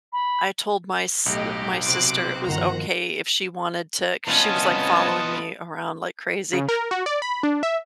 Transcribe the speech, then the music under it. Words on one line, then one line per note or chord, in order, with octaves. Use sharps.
I told my s uh, my sister it was okay if she wanted to 'cause she was like following me around like crazy,
B5
B1 A2 G4 D#5
C3 C4 F#4 C5 D6 F#6
G1 D#3 F3 F#5 A#5
C2 B3 C#4 F4 D#5 A5
C#3
A#4
F#4
D5
B5
D4
E5